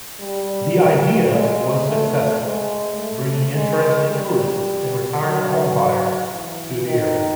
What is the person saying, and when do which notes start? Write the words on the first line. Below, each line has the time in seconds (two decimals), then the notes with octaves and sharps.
The idea was successful, bringing interested tourists and retirement home buyers to the area.
0.21 G3
1.32 G#3
1.87 A3
2.42 G#3
2.98 A3
3.53 G#3
4.10 G3
5.20 F#3
6.31 E3
6.88 D#3